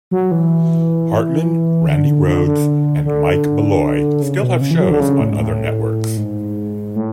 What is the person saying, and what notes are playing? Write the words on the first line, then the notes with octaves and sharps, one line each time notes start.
Hartmann, Randi Rhodes, and Mike Malloy still have shows on other networks.
F#3
E3
D3
D3
D3
D3
C#3
B2
C#3
E3
F#3
D3
C#3
A2
G#2
A2
G#2
A2